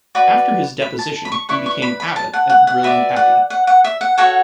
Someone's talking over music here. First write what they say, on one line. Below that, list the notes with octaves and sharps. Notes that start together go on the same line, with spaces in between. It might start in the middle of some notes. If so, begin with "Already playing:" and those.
After his deposition, he became abbot at Gilling Abbey.
F#4 B4 D5
B5
A5
B5
C#6
E4 B4 D5 C#6
C#6
B5
B5
A5
F#5
F#5
F#5
F#4 B4 D5 E5
F#5
F#5
F#5
E5
F#5
F#4 A4 C#5 F#5